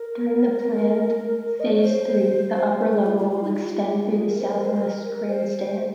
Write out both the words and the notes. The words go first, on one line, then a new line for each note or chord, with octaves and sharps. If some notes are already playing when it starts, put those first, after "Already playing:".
During the planned Phase Three, the upper level will extend through the southwest grandstand.
Already playing: A#4
D#5
C#5
C5
A#4
G#4
F4
F4
F4
D#4
F4
F4
G4
F4
G#4
A#4
C5
A#4
C5
A#4
C5